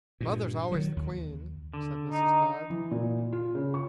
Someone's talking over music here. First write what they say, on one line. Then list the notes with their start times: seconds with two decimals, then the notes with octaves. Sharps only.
"Mother's always the queen," said Mrs. Todd.
0.21 G2 A#2
0.72 D#3 F#3
0.96 D#2
1.73 D3
2.12 D#4
2.70 E3
2.91 A#2
3.32 F4
3.55 C#3
3.74 C#6